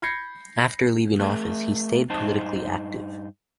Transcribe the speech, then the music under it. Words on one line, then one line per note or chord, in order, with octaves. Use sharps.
After leaving office, he stayed politically active.
B5 G6 G#6 A#6 C7 C#7
A3 G#4 A#4
G2 D#4 C5 A5